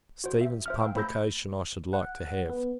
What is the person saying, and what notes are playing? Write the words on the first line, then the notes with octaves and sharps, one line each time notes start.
Stephens's publication I should like to have.
F#4 C5
E5
C5 E5 F6
F5 G5 E6
A3 C5 B5 E6 G6 A#6
F#5
B3